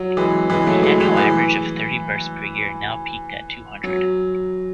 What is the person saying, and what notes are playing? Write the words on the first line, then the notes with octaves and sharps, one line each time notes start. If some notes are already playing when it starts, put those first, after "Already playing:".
The annual average of thirty births per year now peaked at two hundred.
Already playing: F#3
E3 G#3
E3 G#3
F#3 A3
E3 G#3
E3 G#3
E3
F#3